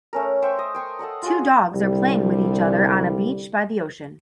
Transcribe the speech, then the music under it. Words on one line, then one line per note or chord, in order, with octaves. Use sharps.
Two dogs are playing with each other on a beach by the ocean.
A3 C#4 A#4
C5 E5 G5 C#6
D#5
G5 C6 C#6
A4 D#5 F#5 A#5
F4 F#4 G#4
C2 D3 G3